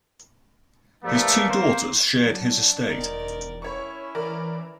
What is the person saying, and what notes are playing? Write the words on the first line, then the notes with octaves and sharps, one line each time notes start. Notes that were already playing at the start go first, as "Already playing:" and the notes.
His two daughters shared his estate.
G2 F3 A3 A#3
C4 C5
F#3 D4
E1 D#3 A#4 D5
C#4 E4 C#5 C#6
E3 A#4 D5